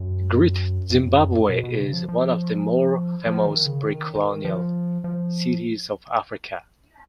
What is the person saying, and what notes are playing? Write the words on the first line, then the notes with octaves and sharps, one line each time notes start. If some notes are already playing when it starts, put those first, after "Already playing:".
Great Zimbabwe is one of the more famous pre-colonial cities of Africa.
Already playing: F#2
F2
F#2
F#2
B2
B2
C#3
F3
F3
F3
D#3
C#3
D#3
D#3
F3
F3